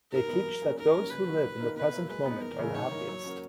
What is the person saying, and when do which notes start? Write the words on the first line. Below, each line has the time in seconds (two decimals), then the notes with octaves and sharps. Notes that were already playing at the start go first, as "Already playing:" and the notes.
They teach that those who live in the present moment are the happiest.
0.12 G#2 A#4
0.28 E3 B3
0.45 F#3
0.62 A#3 C#4 G#4
0.78 G#2 A#4
0.94 F#3 A#3 C#4
1.11 C#3 B4
1.27 F#3 A#3 D#4 F#4
1.44 G#2
1.60 D#3 A#3 D#4 A#4
1.76 B2 B4
1.93 F#3 A#3 E4
2.09 G#3 B4
2.26 B3 D#4
2.42 E2 A#4
2.59 C#3 E3 G#3
2.74 G#2 C#5
2.92 E3 A#3 D#4
3.08 F#3
3.24 C#4 F#4 A#4